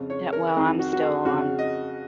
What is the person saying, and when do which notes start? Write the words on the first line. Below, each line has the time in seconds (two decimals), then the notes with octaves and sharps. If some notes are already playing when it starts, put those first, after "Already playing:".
Yeah, well, I'm still on
Already playing: F2 C#3
0.10 C#5
0.33 A#4
0.57 F2 D#3 G#4
0.79 F#4
0.93 F#4
1.01 G#4
1.25 F2 C#3 F#4
1.59 D#5